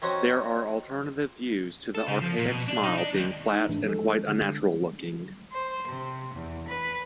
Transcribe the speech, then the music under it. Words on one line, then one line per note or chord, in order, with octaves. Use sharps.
There are alternative views to the archaic smile being "flat and quite unnatural looking".
D#3 C4 C#4 F#4 F#5 D#6
A4
C#3
F3
A#2
B2
D4
D#4
D4
D#2
D#4
G#2 E3 A3 D4
F3 G#3 A4
D3
C5
C3
E2
B4